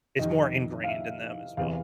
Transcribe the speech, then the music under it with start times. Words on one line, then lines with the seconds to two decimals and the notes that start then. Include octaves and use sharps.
it's more ingrained in them as well.
0.19 F2 C3 D#3 D#5
0.84 F5
0.88 E5
1.57 E2 C3 E3 F5